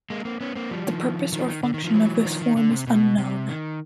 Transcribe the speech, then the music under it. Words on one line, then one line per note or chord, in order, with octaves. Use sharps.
The purpose or function of this form is unknown.
G#3 A#3
A#3 C4
B3 C#4
A#3 C4
F3 G3
D#3 F3
D#3 F3
D#3
D3
D#3
D#3 F3
E3 F#3
D#3 F3
D#3
D3
C3
B2
C3
D#3